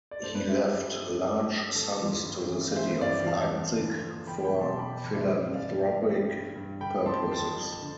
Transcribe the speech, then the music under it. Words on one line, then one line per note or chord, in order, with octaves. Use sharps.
He left large sums to the city of Leipzig for philanthropic purposes.
D5
G2 A4 C5
B4 D5
F3 C5 E5
G4 B4
F3 A4
A4
G2
G2
G2
D3 A4
F3
G2
E3
F5
E3 C5 E5
G2 D5 F5
E2 F5 A5
E2
D3
F3
E2 G5 B5
G5 B5
B2
A5 C6
B2 B5 D6
E2 B5 D6
C5 E5
G2 B4 D5
E3 D5 F5
E3 E5 G5
G2
G2
G2
D3 G5 B5
F3 A5 C6
F2 A5 C6
F2
D3